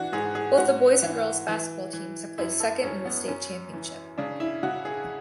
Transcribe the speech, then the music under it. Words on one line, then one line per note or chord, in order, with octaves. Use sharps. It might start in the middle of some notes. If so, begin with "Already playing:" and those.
Both the boys' and girls' basketball teams have placed second in the state championship.
Already playing: E3 D4 F#4
G#2 G#4
G#4
G#2 F#4
E3
E3
E3
F#2 E4
A4
F#2 C#4
B3
F#2 C#4
E3
C#3 D4
E4
C#3 F#4
G#4